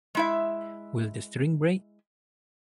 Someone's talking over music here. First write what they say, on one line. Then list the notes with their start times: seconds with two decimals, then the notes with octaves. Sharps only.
Will the string break?
0.15 G#3 E4 E5